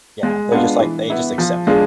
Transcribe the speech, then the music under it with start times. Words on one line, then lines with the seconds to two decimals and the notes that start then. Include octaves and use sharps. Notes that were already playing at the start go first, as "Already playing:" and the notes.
Yeah. They're just like they just accept it.
0.23 G#3
0.52 B3 D4 F4
0.80 E3
1.10 B3 E4
1.38 F3
1.67 G#3 D4 F4 G#4